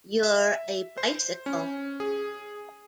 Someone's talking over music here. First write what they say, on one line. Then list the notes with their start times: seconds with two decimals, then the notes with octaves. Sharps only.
You're a bicycle.
0.23 E5
0.98 C5
1.46 C#4
2.00 G#4